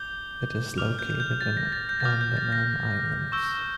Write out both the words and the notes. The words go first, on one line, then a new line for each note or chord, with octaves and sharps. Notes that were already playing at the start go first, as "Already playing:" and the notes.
It is located in the Andaman Islands.
Already playing: D6 G6 G7
D6 F6 F7
G6
G6
A6
A#6
A6
G6
A6
D6 F6 G6
G6
A6
A#6
C#6 E6 G6